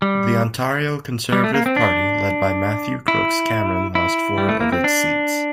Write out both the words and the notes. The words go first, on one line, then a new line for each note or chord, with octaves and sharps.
The Ontario Conservative Party, led by Matthew Crooks Cameron lost four of its seats.
G3
G3
A3
A#3
C4
D4
E4
E4
G3
A3
A#3
C4
D4